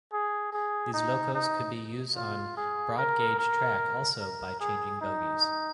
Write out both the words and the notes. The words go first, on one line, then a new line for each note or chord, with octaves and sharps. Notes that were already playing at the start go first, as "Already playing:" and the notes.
These locos could be use on broad gauge track also by changing bogies.
G#4
G#4
D#4
D#4
F4
G#4
A#4
A#4
A#4
G#4
D#4